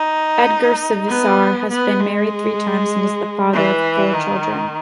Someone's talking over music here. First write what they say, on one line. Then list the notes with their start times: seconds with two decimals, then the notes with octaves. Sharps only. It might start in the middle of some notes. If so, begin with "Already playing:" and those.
Edgar Savisaar has been married three times and is the father of four children.
Already playing: D#4
1.08 B3
1.69 B3
2.00 G#3
3.53 E3
4.14 D#3